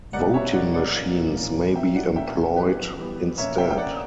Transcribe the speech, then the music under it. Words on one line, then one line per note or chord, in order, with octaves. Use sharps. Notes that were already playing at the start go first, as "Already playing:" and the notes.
Voting machines may be employed instead.
B2 G3 A#3 D5 F#5
C#5 E5
B2 G3 A#3 D5 F#5
D5 F#5
A#2 A#3 C#4
A#2 A#3 C#4
A#2 A#3 C#4 E5 G5
D5 F#5
A#2 A#3 C#4 E5 G5
E3 G3 B3 G4 B4
E3 G3 B3
B2 A#3 C#4 C#5 E5
E5 G5
G5
B2 A#3 C#4 D5 F#5